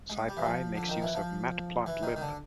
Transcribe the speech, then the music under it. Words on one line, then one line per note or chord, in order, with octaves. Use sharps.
SciPy makes use of matplotlib.
G#3
G3
E3
F3
D3
D#3
E3
F3
E3
D#3
D#3
D3